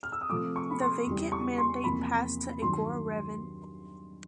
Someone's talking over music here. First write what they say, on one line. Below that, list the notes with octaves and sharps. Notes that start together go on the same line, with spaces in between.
The vacant mandate passed to Igor Revin.
F6
E6
D#6
C3 F3 A3 D6
C#6
B5
C6
E2 C#3 E3 G3
C#6
C6
E2 C3 F3 A#3 B5
G2 D#3 F#3 C6